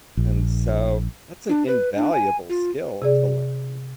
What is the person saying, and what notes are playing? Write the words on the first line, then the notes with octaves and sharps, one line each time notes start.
and so that's an invaluable skill to learn.
A#1
D4
B4
D4
G#5
F4
C3 G#4 D5